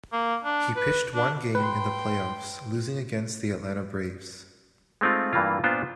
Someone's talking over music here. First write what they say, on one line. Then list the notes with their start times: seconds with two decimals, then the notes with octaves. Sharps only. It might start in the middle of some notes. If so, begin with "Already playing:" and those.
He pitched one game in the playoffs, losing against the Atlanta Braves.
0.12 A#3
0.44 D4
0.76 B4
1.15 D4
1.55 B4 G5 C6
5.01 G#3 A3 C4 D#4 F4
5.33 G2 E3 A#3 F4
5.64 A#2 B3 D4 F4 C5